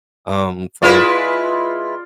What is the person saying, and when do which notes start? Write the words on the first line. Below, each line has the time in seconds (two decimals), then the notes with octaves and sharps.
Um, so
0.82 G#3 E4 F4 B4 D5